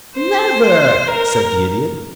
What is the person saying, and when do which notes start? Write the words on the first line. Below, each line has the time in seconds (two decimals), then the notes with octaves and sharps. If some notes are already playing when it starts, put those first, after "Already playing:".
"Never," said the Idiot.
0.18 C5
1.08 A#4